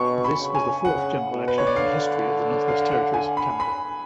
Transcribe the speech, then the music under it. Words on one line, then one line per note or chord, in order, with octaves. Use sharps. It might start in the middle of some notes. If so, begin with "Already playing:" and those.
This was the fourth general election in the history of the Northwest Territories, Canada.
Already playing: B2 C#6
B5
C#3
G#5
C#3 F#5
B2
B4
C#5
D5
D3 F5
F5
F#5
G#5
B5
B5